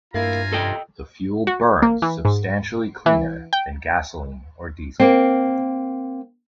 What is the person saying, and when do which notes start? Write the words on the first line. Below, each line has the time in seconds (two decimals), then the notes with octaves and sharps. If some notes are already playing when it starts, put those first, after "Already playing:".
The fuel burns substantially cleaner than gasoline or diesel.
0.14 G2 A#3 E4 F4 G#5 A#5
0.53 F2 A2 C3 A4 D#5 G5
1.47 F#4
1.82 A#3
2.02 E3
2.25 G#2
3.06 E3
3.53 G5
5.00 A#3 C4